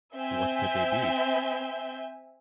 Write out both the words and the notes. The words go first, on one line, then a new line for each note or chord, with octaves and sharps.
What could they be?
C4 E5 G#5 G6